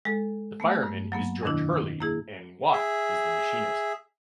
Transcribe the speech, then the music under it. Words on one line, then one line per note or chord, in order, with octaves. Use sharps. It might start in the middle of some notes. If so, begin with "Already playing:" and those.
The fireman is George Hurley and Watt is the machinist.
G#3 A4
A3 B3
G2
F#3 A#3 B3
F2 B2 D#3 D4 E4
A#3 E4 G#4
G#4 E5